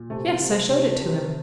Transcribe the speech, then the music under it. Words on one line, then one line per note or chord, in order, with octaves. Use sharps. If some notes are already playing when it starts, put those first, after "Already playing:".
"Yes; I showed it to him."
Already playing: A#2
C3 A3
C3
C3
C3